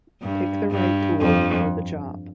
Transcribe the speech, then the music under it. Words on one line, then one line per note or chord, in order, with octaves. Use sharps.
Pick the right tool for the job.
G2
G2
F2